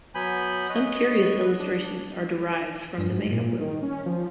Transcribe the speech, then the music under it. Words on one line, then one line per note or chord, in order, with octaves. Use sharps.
Some curious illustrations are derived from the makeup room.
F#3 B3 G#5 B5 G6
B4 C#5 D#5
D4
G2
G#2
A#2
D#3
C#4
F3